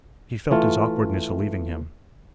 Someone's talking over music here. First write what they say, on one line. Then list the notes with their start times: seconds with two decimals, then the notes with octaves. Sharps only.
He felt his awkwardness leaving him.
0.51 E3 A3 F4